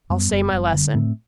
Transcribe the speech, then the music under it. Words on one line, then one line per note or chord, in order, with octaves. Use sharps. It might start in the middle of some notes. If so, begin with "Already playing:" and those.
I'll say my lesson.
F#2 G3 B3
F#1
F#1
D3
A2 A3 C4